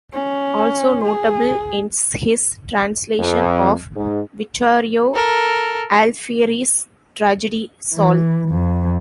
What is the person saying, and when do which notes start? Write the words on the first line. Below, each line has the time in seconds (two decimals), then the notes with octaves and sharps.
Also notable is his translation of Vittorio Alfieri's tragedy "Saul".
0.13 C#4
1.04 G#4
3.19 F2
3.96 G#2
5.15 A4 A#4
7.94 E3
8.49 F2